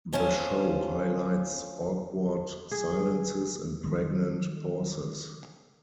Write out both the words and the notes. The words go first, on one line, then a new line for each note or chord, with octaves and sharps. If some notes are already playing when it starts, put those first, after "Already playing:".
The show highlights awkward silences and pregnant pauses.
D2 C#4 F4 C5
G#4
D#3 G3